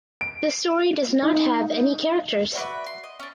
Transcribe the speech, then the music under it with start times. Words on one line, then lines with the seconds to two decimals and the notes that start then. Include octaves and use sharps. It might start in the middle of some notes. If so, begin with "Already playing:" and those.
The story does not have any characters.
0.21 D7
1.22 D#4
2.55 F#4 B4 D5 E5
2.86 C6
3.04 D#5
3.19 C#4 D4